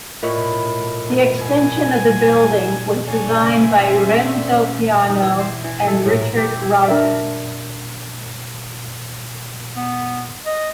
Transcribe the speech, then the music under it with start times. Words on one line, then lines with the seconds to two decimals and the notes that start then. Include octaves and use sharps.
The extension of the building was designed by Renzo Piano and Richard Rogers.
0.23 A2 E4 F4 A#4 C#5 D#5
1.42 G#5
3.08 F3 D4 A4 C#5 G#5
3.42 C#3 C5 E5
3.76 C#4 F4
4.22 D4 A4
5.09 D#4
5.22 E3
5.40 C5
5.64 E3
5.87 A4
6.06 A2
6.21 A#4
6.37 G4
6.62 E4
6.88 D4 A#4 D5 E5
9.76 B3
10.46 D#5